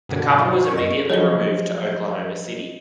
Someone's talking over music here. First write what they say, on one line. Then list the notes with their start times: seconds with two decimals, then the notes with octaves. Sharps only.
The couple was immediately removed to Oklahoma City.
0.09 G2 B2 D3
0.23 F#5
0.39 F#3 D#4 F4 D5
0.51 C5
0.64 C#6
0.75 F#2 D#5 E7
1.10 F3 F#3 G#4 C5 C#5 D#5 G7